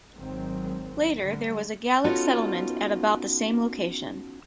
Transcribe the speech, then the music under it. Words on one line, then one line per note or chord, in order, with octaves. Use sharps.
Later there was a Gallic settlement at about the same location.
G#1 D#3 F#3 G#3 C4
D3 G3
B3 C#4 D#4 F4 F#4 A4